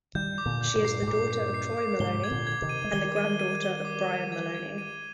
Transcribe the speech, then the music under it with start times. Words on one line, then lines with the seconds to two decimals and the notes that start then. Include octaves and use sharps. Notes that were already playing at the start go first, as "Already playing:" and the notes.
She is the daughter of Troy Moloney and the granddaughter of Brian Moloney.
0.15 D#3 G3 G6
0.38 D6
0.46 A#2 D3
0.61 G6
0.76 G2 A#2
0.85 C7
1.02 G#2
1.07 G2 A#2 D6
1.31 C7
1.54 C7
1.77 D6
2.00 G#2 C3 G7
2.24 G#6
2.32 A#2 D3
2.47 G#6
2.62 C3 D#3
2.69 D#7
2.84 G#3
2.93 D#3 G3 G7
3.16 D#7
3.40 D#7
3.62 G7
3.85 D6
4.09 D6
4.32 G#6
4.55 G#6
4.78 D#7